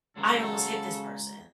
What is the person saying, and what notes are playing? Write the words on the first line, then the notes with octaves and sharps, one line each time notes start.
"I almost hit this person."
C#3 F#3 G#3 F#4 A4 A#4